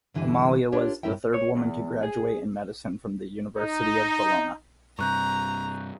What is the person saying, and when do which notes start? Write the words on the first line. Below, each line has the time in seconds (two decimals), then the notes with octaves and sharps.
Amalia was the third woman to graduate in medicine from the University of Bologna.
0.14 G2 D3 E3 G3 G#5
0.72 D4 F4 G4 A#4 C#5
1.03 G2 C#4 E4 A#4 E5 G5
1.34 C#5
1.57 E2
2.03 G#4
3.58 D#4
4.99 G2 C3 A#5 C#6 F#6 G6